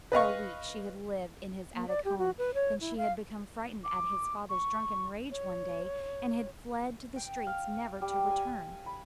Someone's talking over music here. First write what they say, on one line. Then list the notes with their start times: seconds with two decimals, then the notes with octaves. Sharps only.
For a week she had lived in his attic home, then she had become frightened at his father's drunken rage, one day, and had fled to the streets, never to return.
0.12 B4 D#5 F5 C#6
1.74 A#3
1.88 D5
2.04 G4
2.18 F#4
2.38 B4
2.54 C#5
2.80 E4
2.97 F5
3.84 D6
4.50 C#6
5.31 C#5
7.16 G5
7.47 F5
8.01 G3
8.31 G#5
8.86 B5